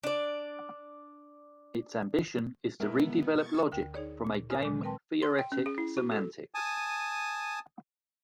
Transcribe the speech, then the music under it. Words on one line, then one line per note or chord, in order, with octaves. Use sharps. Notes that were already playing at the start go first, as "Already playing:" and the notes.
Its ambition is to redevelop logic from a game-theoretic semantics.
D4 D5
B2 G#3 B3 E4 A#4
C#6 G#6 A6
D2 D3 A#4 G5
D#4 G#4 C#5 D5
A#2
A#4 G#5 D#6 F6
A#2 D#3 F#3 G#3
C4 A#4 B4 G5 A5 C6
C6
G5
C#4
G#4
E4
F#4
A4
G#5 A5 D#6